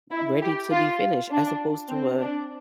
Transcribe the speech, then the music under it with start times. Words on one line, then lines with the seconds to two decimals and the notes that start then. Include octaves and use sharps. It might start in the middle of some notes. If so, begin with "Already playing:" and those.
ready to be finished, as opposed to a
0.11 E4
0.42 G4
0.71 F4
1.31 D4
1.90 C4
2.20 D4